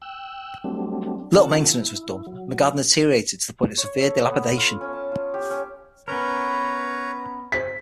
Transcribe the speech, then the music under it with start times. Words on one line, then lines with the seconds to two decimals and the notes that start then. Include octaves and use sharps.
Little maintenance was done and the garden deteriorated to the point of severe dilapidation.
0.02 G5 E6 F#6
0.64 F#3 G3 A3 C4 D4
1.35 D#3 C#4 F4 A4 F#5 A5
1.67 E4
2.27 F#3
3.78 C#5
4.00 A4
4.31 B3
4.57 F4
4.81 C#4
4.93 A5
5.12 F4
5.34 G4
5.50 C#4
6.08 B3 C#4 A#4 B4 C#5 A#5
7.52 C5 B6